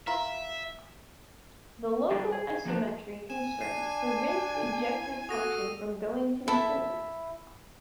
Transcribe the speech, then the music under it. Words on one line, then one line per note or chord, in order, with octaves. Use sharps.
The local isometry constraint prevents the objective function from going to infinity.
F4 A#4 E5 B5
G3 D4 A4
G#4
F3 A#3 D4 F#4 C5 A5
G#5 E7
D4 C7 D#7
E4
F#4 A4 D#6 A#6 D#7
E4 A4 E5